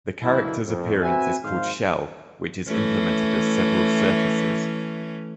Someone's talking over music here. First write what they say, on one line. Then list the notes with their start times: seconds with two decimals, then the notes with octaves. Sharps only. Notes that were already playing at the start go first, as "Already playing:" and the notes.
The character's appearance is called "shell", which is implemented as several "surfaces".
0.23 C#2 F#2 D3 E3 A#3 E4
0.66 F2
1.03 C4 F#4 B4 E5 G#5
1.43 G#1 G#2 C5 F5
2.68 E3 A3 C#4